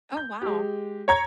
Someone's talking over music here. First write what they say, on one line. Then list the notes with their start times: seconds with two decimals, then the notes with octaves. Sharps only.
Oh, wow.
0.17 G6
0.42 G#3 G4
1.08 C#5 A#5 G#6